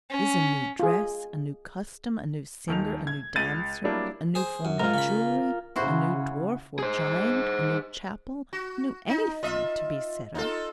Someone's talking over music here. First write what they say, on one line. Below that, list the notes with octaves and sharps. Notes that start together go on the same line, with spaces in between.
Is a new dress, a new custom, a new singer, a new dancer, a new form of jewellery, a new dwarf or giant, a new chapel, a new anything, to be set up?
C#4
F4 G#4
D#1 D#3 F7
G#6
C#2 A6 D#7
F#3 G3 A#3 D4 E4
G#4 C5
F#2
G#2 F4 A#4
C#3 B5
C#3 E4 F#4 C5
G#4 C5
F#4
D#4
F4 D#5 E5
D#4 F4 A4